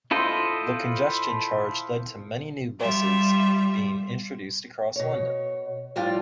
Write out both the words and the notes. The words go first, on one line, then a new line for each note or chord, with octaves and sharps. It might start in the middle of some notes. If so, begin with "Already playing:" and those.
The congestion charge led to many new buses being introduced across London.
E4 F4 A4 C5 D#5
G3 F4 E5
B2 C#5
A2 F3 G3 D4 F4 G5